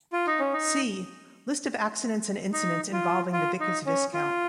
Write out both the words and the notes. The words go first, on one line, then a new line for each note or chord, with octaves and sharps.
See "List of accidents and incidents involving the Vickers Viscount".
F4
D#4
C#4
D#4
D#4
F4
F4
D#4
C#4
F4